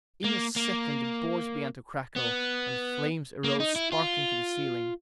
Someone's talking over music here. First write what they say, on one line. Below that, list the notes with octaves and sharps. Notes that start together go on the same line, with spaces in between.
In a second the boards began to crackle, and the flames arose sparkling to the ceiling.
A#3
A#3
B3
A#3
D#4
E4
F4